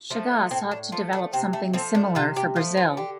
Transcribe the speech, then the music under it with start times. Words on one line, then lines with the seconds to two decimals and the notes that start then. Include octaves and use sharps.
Chagas sought to develop something similar for Brazil.
0.10 F3 A3
0.51 A2 C4
0.71 D4
0.92 F3 A3 F4
1.13 D4
1.33 C3 C4
1.53 A3
1.74 F3 A3 C4
1.95 D4
2.15 C3 F4
2.36 G4
2.56 F3 F4
2.61 A3
2.77 F4
2.97 D3 G4